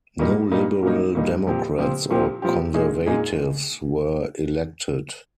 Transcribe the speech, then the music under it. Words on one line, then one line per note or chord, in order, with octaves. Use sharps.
No Liberal Democrats or Conservatives were elected.
A#2 G3 A#3 D#4
A#2 G3 A#3 D#4
A#2 G3 A#3 D#4
A#2 G3 A#3 D#4
A#2 F3 C4 G4
A#2 F3 C4 G4
A#2 F3 C4 G4
A#2 F3 C4 G4
A#2 G#3 D#4 G#4
A#2 G#3 D#4 G#4